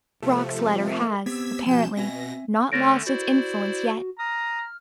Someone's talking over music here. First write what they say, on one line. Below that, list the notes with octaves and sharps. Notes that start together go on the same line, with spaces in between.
Brock's letter has, apparently, not lost its influence yet.
C3 F3 A3 A4
A4 A#4 E5
B3 C4 G4 E6 G#6 B6
B2 F3 G#5 G6 E7
B2 C4 E5 G#5 A#6
D3 A3 C#4 C#5 A6 A#6 D7
E4 F#4 C5 D5
A#5 D#6 F6